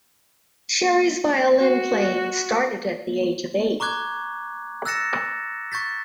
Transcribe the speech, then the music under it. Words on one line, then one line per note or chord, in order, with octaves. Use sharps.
Sherry's violin playing started at the age of eight.
F#4
A#5 C#6 D6 F#6 G#6
E6 F#6 A6 A#6 C#7 E7
C#6 G6 A6 B6